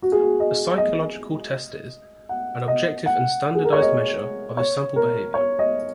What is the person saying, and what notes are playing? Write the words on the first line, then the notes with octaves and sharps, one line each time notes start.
A psychological test is "an objective and standardized measure of a sample of behavior".
F#4
G#4
F#4
D#5
D#5
F#5
D#5
F#5
G#4
A#4
C#5
D#5
C#5
A#4
C#5
D#5